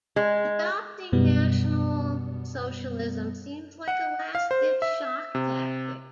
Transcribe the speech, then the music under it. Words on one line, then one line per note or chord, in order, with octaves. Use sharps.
Adopting National-Socialism seems like a last ditch shock tactic.
G#3
F#2 B2 G3 B3
F#5
F5
C5
E5
C3